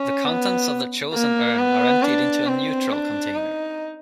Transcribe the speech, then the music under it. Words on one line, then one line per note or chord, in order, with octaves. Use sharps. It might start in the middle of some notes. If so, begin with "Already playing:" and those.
The contents of the chosen urn are emptied into a neutral container.
Already playing: C#4
B3
A#3
B3
D4
C4
D4
D#4